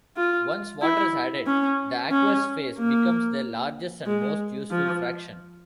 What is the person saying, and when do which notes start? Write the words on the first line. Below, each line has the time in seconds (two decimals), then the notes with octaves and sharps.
Once water is added, the aqueous phase becomes the largest and most useful fraction.
0.17 F4
0.82 E4
1.46 C#4
2.11 C#4
2.77 A#3
4.06 G#3
4.71 F3